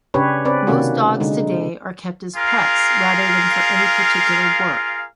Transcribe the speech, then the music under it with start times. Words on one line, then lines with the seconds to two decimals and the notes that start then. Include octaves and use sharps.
Most dogs today are kept as pets rather than for any particular work.
0.14 C#3 C#4 D4 G4 B4 C#5
0.45 C4 C#4 B4 D5
0.67 C3 D#3 A#3 C#4 F#4
1.20 D3 G#3 D#4
2.36 F4 G#4 A#4 F5